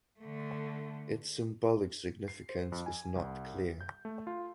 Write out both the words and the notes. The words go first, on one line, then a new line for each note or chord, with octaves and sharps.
Its symbolic significance is not clear.
D3 A3
C7
C5
F2
G#5
C2
G6
A3
F4